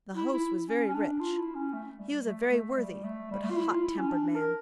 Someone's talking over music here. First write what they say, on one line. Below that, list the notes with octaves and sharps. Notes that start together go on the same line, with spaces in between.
The host was very rich. He was a very worthy but hot-tempered man.
E4
E4
C#4
C#4
D4
F4
E4
C#4
A3
G3
A3
A3
G3
A3
G3
A3
F4
E4
F4
E4
C#4
D4
A#4